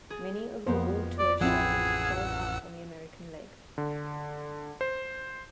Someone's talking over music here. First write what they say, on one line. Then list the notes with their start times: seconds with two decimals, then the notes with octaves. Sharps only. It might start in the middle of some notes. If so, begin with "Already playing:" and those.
Many of the War Tour shows sold out on the American leg.
0.10 G#4 A6
0.67 F2 A#3 B3 C5
1.19 D5
1.41 A1 F3 C4 E4 G#4 F#5 E6
3.78 D3
4.81 C5